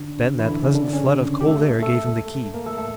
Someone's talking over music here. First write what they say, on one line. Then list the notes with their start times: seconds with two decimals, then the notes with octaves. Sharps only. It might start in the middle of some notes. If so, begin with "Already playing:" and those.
Then that pleasant flood of cold air gave him the key.
Already playing: D3 D4
0.39 E3 E4
0.50 D3 D4
0.63 C#3 C#4
0.75 D3 D4
0.93 C#3 C#4
1.41 G4
1.47 A3 A4
1.82 A3 A4
2.54 A#3 A#4
2.66 A3 A4
2.78 A3 A4